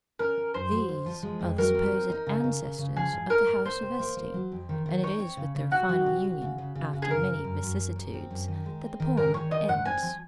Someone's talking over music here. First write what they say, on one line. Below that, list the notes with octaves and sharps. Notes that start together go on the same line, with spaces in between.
These are the supposed ancestors of the house of Este, and it is with their final union, after many vicissitudes, that the poem ends.
C#4 A#4
C#4
F#2 C5
F#3
F2
F3
G#3
F2
F#3 A#4
C4
D#4
D#4
C#3
C#3
C#3
C#3
F3 G#4
G#2
G#2 A#4
G#2
A#3 C5
C3
A#3
A#3
F#3
F2
D#3
D#3
D#4 C#5
C4
C#3
C#3
C3 F#4
F#3
C3
C3
C#3
C#3
C#3
C#3
G#4
F#2 A#4
F#2
F#2
F#2
F#2
F#2
C4
F#2
D#3
G#3
C4
D#3
G#2 A#4
D#3 C#5
D#3 D#5
G#2 F#5
C4 G#5
F3